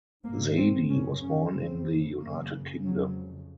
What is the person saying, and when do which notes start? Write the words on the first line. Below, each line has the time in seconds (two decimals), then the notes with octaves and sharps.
Zaidi was born in the United Kingdom.
0.24 G#2 A#3
0.57 C4
0.89 F#2 C#3 C#4
1.22 C#4
1.54 F2 C#3 C4
2.20 F#2 C#3 A#3
2.84 F2 C#3 F#3